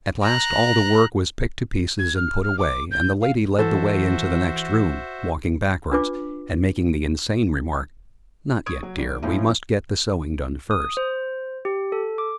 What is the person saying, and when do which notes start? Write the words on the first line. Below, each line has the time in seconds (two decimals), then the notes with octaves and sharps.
At last all the work was picked to pieces and put away, and the lady led the way into the next room, walking backwards, and making the insane remark "Not yet, dear: we must get the sewing done first."
0.22 A#5 F#6
1.99 G#6
2.16 F6
2.43 F6
2.59 D6
2.91 G6
3.21 F5
3.58 E3 F#4 A4 C5 E5
5.92 D4 F4 B4 D6
8.66 C#6 D#6 G#6 D7
8.83 F#3
8.98 G#1
9.22 A2 F3 C#4 D#4 E4
10.71 D#6
10.97 C5
11.65 G4
11.92 A4
12.18 D6